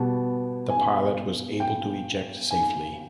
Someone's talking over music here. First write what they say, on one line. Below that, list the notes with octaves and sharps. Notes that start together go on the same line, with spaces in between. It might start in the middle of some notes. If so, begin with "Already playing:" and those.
The pilot was able to eject safely.
Already playing: B2 G3 B3 A5
G#5
G5
G#5